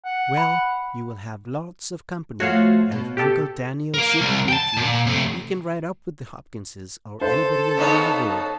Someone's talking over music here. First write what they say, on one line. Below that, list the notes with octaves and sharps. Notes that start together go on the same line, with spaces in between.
"Well, you will have lots of company, and if Uncle Daniel shouldn't meet you, you can ride up with the Hopkinses or anybody along your road."
F#5
B5
F3 A3 F#4 C#5 F5
B2
G4 A4
A#4 F5
C2
G5 A5
A#2
C3 A3
A4 C5
C#3 B3 D#4 A5